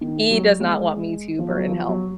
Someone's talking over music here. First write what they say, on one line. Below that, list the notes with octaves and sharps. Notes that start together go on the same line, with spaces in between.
he does not want me to burn in hell.
D#3
F#3
G#3
F3
F#3
F#3
F3
F#3